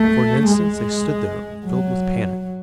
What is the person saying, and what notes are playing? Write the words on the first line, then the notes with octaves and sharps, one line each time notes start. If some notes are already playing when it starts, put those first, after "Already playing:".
For an instant they stood there, filled with panic.
Already playing: A3
G#3
F#3